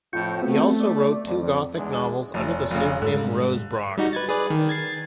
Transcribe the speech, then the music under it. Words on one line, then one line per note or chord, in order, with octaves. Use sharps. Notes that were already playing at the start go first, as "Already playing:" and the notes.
He also wrote two gothic novels under the pseudonym Rose Brock.
F2 A2 F4 G5 C#6
A3 B3 C4 F#4
D5
F2
E2 G#3 D4
F1 C#5 D5 A5
F1 C#3 C#5 F5
G#2 D3 G3 G#3
G3 D#4 F#4
B4 G#6 A6
G#4 B4 D5
D#3
G#6 A6 C7